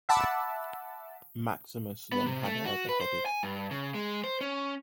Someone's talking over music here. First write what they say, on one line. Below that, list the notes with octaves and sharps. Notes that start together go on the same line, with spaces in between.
Maximus then had her beheaded.
E5 F#5 A5 B5 D6 E6
B3
C3
A3
F#4
B4
C5
G#5
G2
C#3
G#3
C5
C#4